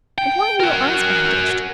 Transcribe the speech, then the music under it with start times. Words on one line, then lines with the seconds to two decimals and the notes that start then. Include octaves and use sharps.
'And why are your eyes bandaged?
0.18 G5
0.60 F#4 A#4